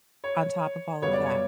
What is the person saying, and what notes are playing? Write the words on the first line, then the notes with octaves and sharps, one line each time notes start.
on top of all of that.
C#5
F#2 C#3 G3 B3 C#5
D5
C#5